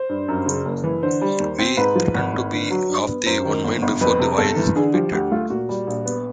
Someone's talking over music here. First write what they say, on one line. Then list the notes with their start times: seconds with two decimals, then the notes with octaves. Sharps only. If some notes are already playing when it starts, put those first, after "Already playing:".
We threaten to be of the one mind before the voyage is completed.
Already playing: C5
0.09 G2
0.28 F#2
0.46 C#3
0.65 F#1
0.84 E3
1.03 D3 C5
1.22 G3
1.40 D#2
1.59 C4
1.77 G#2 B4
1.96 F3
2.14 G#1
2.34 G#1
2.52 D3
2.70 F#3
2.89 G2
3.08 B3
3.26 F#2 C5
3.45 D#3
3.64 G1
3.82 G1
4.01 F2 B4
4.20 C3
4.38 G1 A4
4.56 E3
4.75 D3 G#4
4.94 F3 G4
5.12 D2 G4
5.31 A3 F4
5.50 A#2 F#4
5.69 G3
5.87 A#1
6.05 B3